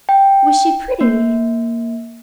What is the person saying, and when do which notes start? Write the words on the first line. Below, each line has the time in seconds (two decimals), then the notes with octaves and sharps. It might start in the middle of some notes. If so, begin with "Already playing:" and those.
"Was she pretty?"
0.09 G5
1.01 A#3